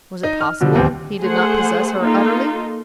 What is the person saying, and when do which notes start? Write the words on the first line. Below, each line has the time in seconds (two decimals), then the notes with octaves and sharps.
Was it possible he did not possess her utterly?
0.23 D#4 D#5
0.41 F6
0.61 B2 D3 F3 G3
0.74 D1 D#2 C4
1.22 A3 G#4 C5 F#5
2.00 A#3 D#4 F4 A4